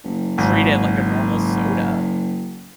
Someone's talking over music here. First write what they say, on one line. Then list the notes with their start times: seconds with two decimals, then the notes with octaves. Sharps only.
treat it like a normal soda.
0.04 F#1
0.38 G#1